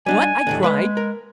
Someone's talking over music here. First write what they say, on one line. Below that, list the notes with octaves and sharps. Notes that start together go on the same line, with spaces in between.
"What!" I cried.
G3 D4 D#4 G#5
D#2 A2 D3
G#3 A#3 B4 B5
A#4